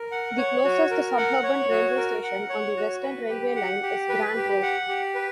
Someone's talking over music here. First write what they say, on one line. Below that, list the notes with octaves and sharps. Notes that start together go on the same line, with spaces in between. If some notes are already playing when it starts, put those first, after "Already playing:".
The closest suburban railway station on the Western Railway line is Grant Road.
Already playing: A#4
F#5
C#5
F#4
A#4
F#5
C#5
F#4
A#4
F#5
C#5
F#4
B4
G4
F#5
G4
B4
G4
F#5
G4
B4